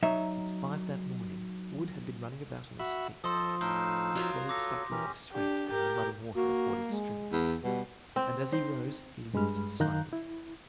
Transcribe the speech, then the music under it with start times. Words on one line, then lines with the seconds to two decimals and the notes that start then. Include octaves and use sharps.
Since five that morning Wood had been running about on his feet, his clothes stuck to him with sweat and the mud and water of forded streams, and as he rose he limped slightly.
0.03 F#3 D#4 E5
2.79 F#4 E5 B5
3.24 F3 A4 C5 D#5 A5 C6 D#6
3.61 A2 D#4 F5 E6 G6
4.15 F#3 F4 A#4
4.49 A4 D6 A#6
4.91 E3 C#4 G4 A#4
5.32 D4 G4
5.70 G4 A#4
6.35 A#3 F#4
6.89 G#3
7.32 E2
7.64 B2 G3
8.16 C4 G5
8.52 D#4 C5
9.33 G2 G#3 B5 F6
9.80 F#2 D#3 F5 A#5 F#6 G6
10.13 E4